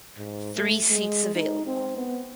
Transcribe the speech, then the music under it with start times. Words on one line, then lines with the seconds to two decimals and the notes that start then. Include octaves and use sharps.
Three seats available.
0.18 G#2
0.56 A3
0.90 G#3
1.35 D#4
1.67 C4
1.97 B3